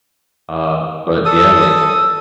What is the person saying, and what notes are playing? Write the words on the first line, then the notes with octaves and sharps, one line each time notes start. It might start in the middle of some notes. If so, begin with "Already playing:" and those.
Uh, but yeah, like
A4 D#6